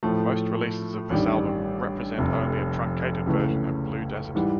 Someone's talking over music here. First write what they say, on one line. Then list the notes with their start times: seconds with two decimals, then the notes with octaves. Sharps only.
Most releases of this album represent only a truncated version of "Blue Desert".
0.03 A2 F3 A3
1.10 A1 G2 D#3 G3
2.18 F1 F2 C3
3.27 C#2 C#3 E3 A3 C#4
4.35 G#2 E3 G3